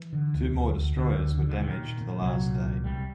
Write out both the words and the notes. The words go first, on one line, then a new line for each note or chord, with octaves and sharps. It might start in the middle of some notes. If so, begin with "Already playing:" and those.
Two more destroyers were damaged the last day.
Already playing: E3
D3
D2
D2
D2
D2 D3
D2
D3
D3
A#2 D#3
A#2
A#2
C2 F#3
A#2
C2
C2 G3